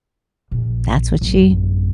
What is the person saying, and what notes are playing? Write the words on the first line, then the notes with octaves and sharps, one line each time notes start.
that's what she
A#1
A1 F#2